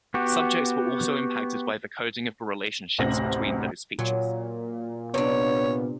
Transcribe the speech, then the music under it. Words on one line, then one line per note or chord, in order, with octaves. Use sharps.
Subjects were also impacted by the coding of the relationships between those features.
B3 F#4 G4
A1 D2 C3 C5 A#6 F#7
A#2 F#3
C3 B3 D4 C#5